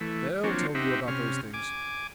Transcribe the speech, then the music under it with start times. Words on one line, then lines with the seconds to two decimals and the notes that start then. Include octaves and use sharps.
They'll tell you about those things.
0.01 E3 A3
0.44 F3 F#3 A#3 C4 D4 C#5
0.75 C4 D#4 G4 E5 F#5
1.08 C3 C#4 F6
1.54 G#5 D6